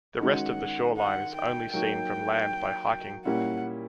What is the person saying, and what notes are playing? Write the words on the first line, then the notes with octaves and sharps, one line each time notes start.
The rest of the shoreline is only seen from land by hiking.
D#3 G#3 C#4 F#4 F#5
F#5
G5
F#3 A#3 D#4 F#4 G5
A#2 G3 A#3 C#4 E4 F#5